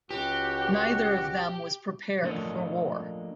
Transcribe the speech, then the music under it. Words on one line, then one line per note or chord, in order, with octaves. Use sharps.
Neither of them was prepared for war.
C#2 F#4 G4
F3 A3 A#3 D4 C#5 D#5